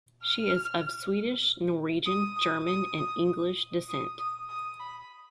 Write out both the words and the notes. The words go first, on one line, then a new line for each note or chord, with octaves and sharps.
She is of Swedish, Norwegian, German, and English descent.
F6
D#6
D#6
D#6
D#6
D#6
D#6
D#6
B5